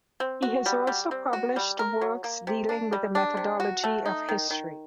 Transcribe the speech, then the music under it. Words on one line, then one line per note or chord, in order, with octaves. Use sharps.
He has also published works dealing with the methodology of history.
C4
F#4
G3
G3
C4
F#4
G3
A#4
F#3
A#3
C3
D4
G3
D4
C3
F#4
A3
D#4
D#3
D#3